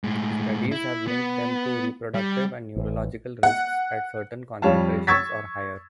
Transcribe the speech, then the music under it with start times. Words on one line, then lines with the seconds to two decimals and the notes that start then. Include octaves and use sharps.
Studies have linked them to reproductive and neurological risks at certain concentrations or higher.
0.04 A2 G#3
0.72 E4
1.07 B3
2.14 G3
2.77 A1
3.43 F#5
4.62 F2 G3 C#5 F5 A5
5.07 C#6 E6 G#6 A6 B6